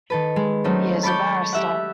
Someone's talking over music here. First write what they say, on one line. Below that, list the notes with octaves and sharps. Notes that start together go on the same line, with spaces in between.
He is a barrister.
D#3 A4 B4
G#3
F#3 A3 C4 C#4 D#4
A5 B5 C#6 D6 G6 A6
G4 E5 F#5